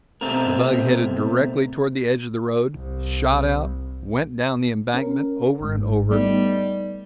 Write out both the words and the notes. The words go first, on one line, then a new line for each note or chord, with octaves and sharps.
The bug headed directly toward the edge of the road, shot out, went down the embankment, over and over.
B2 A3 C4 A#4
C2
C#4 A#4
G#1 G#2
G3 A3 B3 D#4